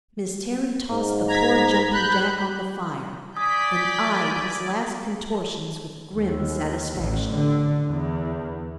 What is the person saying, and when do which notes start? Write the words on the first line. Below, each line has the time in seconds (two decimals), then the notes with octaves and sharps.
Miss Terry tossed the poor jumping-jack on the fire, and eyed his last contortions with grim satisfaction.
0.91 G#2
1.28 A#5 G#6 B6
1.91 B5 F#6 G6
3.37 D5 G#5 D#6 G6 B6
6.11 D#2
6.99 A1
7.32 D3
7.88 E2